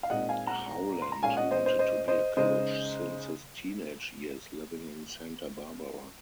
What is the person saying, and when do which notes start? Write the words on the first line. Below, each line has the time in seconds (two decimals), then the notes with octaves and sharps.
Howland wanted to be a coach since his teenage years living in Santa Barbara.
0.03 F5
0.10 A#2 G#3 C4 D#4 D#5 F#5
0.29 F5 G#5
0.47 F#5 A#5
1.02 C6
1.12 A#5
1.23 A#2 G#3 C#4 F5 G#5
1.37 D#5 F#5
1.51 C5 D#5
1.65 C5 D#5
1.79 C5 D#5
2.08 C5 D#5
2.37 C#3 G#3 D#4 C5 D#5